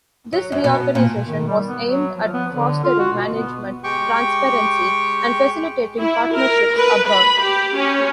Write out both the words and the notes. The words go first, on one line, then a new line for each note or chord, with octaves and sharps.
This reorganization was aimed at fostering management transparency and facilitating partnerships abroad.
F#3
F#2
B2
A#2
D#3
G3
B3
F#3
F3
B3
D3
F4
F#4
B2
B3
G#3 G4 G5 C#6
E4
A#4
B4
B5
G4
C#4